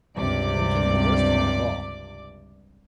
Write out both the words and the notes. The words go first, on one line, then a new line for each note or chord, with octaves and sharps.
Then came the worst fight of all.
C#2 G2 C3 D5 D6